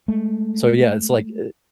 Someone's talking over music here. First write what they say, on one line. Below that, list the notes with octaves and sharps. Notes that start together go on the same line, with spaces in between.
so, yeah, it's, like, eh,
G#3 A3